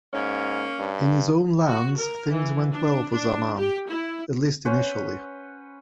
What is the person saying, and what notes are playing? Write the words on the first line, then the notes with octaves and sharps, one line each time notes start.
In his own lands things went well for Zaman, at least initially.
G#2 A#3 C#4
G2
F#4
A#4
E3
D4
D4
G4
E4
C#4 B4 C5 F#5